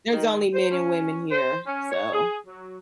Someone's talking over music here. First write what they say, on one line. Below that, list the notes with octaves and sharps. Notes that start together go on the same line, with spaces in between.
There's only men and women here. So
D#3
C5
C#4
C5
C#4
C#5
G#4
F#3